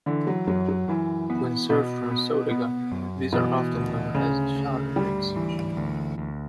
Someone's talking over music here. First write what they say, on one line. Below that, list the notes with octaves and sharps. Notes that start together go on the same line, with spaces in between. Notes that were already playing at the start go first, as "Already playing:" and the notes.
When served from a soda gun, these are often known as fountain drinks.
D3 E3
F#3
F#2 F#3
F#3
F#2 E3
B3
B2 B3
B3
B3
F#2
B2 E3
D2
D2 C#3
D2
D2 G3
E3
D2
D2